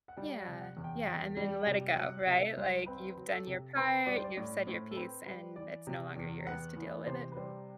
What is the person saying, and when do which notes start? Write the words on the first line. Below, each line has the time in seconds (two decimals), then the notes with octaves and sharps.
Yeah. Yeah, and then let it go, right? Like, you've done your part, you've said your piece, and it's no longer yours to deal with it.
0.08 F#5
0.17 G3 G5
0.40 F#5
0.48 C3
0.62 F#5
0.77 E2
0.84 G5
1.07 E2 G5
1.37 G3
1.67 C3
1.96 F#3 F#5
2.26 C3 E5
2.57 C2 C5
2.86 C4 B4
3.09 B4
3.17 F#3
3.31 A4
3.47 C3
3.76 C4 B4
4.07 G3 D5
4.16 C5
4.24 D5
4.37 A2 D5
4.67 A2 C5
4.91 A4
4.96 C4 B4
5.26 G3 B4
5.56 E3 D5
5.87 C3
6.16 E2
6.46 B3 F#5
6.76 E3
7.06 C3 C5
7.32 B4
7.36 G3 C5